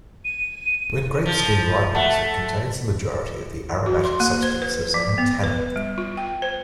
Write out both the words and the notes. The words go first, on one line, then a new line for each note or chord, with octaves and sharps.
When grape skin ripens, it contains the majority of the aromatic substances and tannin.
D#7
F3
A3 E5 F#5 A5
F#4
C6
A#3
C5
B4
F3
B3
B4
G3
F4
G5
C5